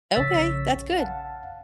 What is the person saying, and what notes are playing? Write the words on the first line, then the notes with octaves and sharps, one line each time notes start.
Okay, that's good.
A#1 C#3 C#5 E6 A6 B6
F5 F#5 A5